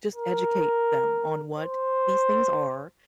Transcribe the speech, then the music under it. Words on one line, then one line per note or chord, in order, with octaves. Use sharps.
just educate them on what these things are,
A#4
C5